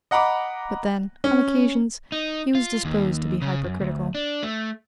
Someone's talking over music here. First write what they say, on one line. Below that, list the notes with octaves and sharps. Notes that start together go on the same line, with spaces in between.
But then, on occasions, he was disposed to be hyper-critical.
D#5 F#5 A#5 B5 D6
C#4
D#4
F4
D#2
C#3
F#2
D2
D4
A3